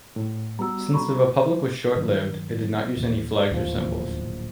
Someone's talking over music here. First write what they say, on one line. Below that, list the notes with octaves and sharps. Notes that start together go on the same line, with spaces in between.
Since the Republic was short-lived, it did not use any flags or symbols.
A2
G3 B3 F#4 A#5 E6
A#5 B5 C#6
G2 D#3 F#3
D#2 A#2 E3
D1 A#1 D#2 B2 E3 F3